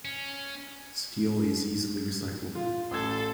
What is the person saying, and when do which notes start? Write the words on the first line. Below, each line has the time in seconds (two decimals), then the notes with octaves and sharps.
Steel is easily recyclable.
0.05 C#4
2.55 F4
2.91 A1 A4 C6 E6 G#6